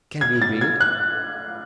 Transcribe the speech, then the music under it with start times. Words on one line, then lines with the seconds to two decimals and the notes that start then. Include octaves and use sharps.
"Can you read?"
0.21 G#6
0.42 A6
0.61 G#6
0.81 F#6